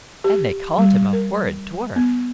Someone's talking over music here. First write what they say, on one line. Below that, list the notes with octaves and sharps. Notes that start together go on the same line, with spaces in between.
And they called him a horrid dwarf!
G4
G3
A#4
B3